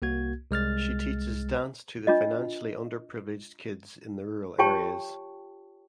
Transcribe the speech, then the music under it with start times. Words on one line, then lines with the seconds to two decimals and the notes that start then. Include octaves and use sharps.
She teaches dance to the financially under privileged kids in the rural areas.
0.02 C2 A#3 F#4 G#6
0.50 C2 G#3 F6 A6
2.07 D4 F4 D#5
4.59 F4 G4 C#5 G5 A5 C#6